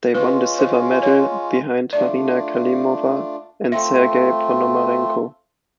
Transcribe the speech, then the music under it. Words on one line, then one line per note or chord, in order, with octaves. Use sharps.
They won the silver medal behind Marina Klimova and Sergei Ponomarenko.
G#3 C#4 F4 B4
C5
C#5
A3 D4 F4 D5
A3 C4 F4 E5